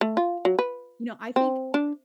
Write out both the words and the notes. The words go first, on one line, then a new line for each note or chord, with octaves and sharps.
you know, I think
A3
F4
F#3
B4
C4
D4